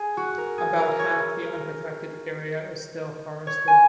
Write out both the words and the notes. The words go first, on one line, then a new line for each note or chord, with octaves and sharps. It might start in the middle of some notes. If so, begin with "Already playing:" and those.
About half the unprotected area is still forested.
Already playing: G#4
F#4
A#4
G#4
A#4
C#5
A#4
C#5
G#5